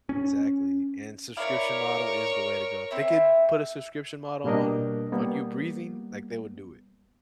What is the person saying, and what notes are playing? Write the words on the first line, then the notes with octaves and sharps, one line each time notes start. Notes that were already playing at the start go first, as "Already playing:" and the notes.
Exactly, and subscription model is the way to go. If they could put a subscription model on on you breathing, like, they would do it.
C#4
E4 A#4 C#5 D5 F5
C4 E4 E5
B2 G3 A#3 D4 A#4 D#5
G3 A#3 B3